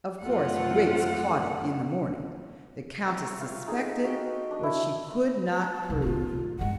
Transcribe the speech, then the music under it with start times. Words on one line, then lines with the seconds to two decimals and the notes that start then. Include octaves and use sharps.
Of course Wiggs caught it in the morning; the Countess suspected what she could not prove.
0.21 F#2 A3 C4 F4 F#5
3.06 C4 A#5 C#6
3.40 F4 F5
3.68 D#4 G#4 A4
4.04 F#4 G5
4.51 D4 D#5
4.63 E4
5.53 A5
5.90 C2
6.02 A2 D#3 F4
6.59 G2 G#3 F#5